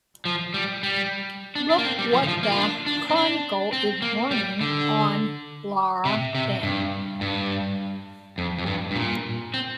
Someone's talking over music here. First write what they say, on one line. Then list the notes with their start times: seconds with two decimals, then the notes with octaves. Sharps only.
Look what the Chronicle is running on Laura Ben.
0.25 F3
0.54 G3
0.83 G3
1.55 D4
1.70 D4
1.78 A#3
1.85 C4
1.99 G3
2.13 F3
2.23 D3
2.28 F3
2.43 A#3
2.52 F4
2.57 D4
2.86 D4
3.10 C4
3.16 D4
3.73 C4
4.02 A#3
4.31 G3
4.61 D3
6.05 C3
6.35 C3
6.63 G2
7.21 G2
8.38 F2
8.58 F2
8.66 G2
8.91 G2
8.96 A#2
9.54 C4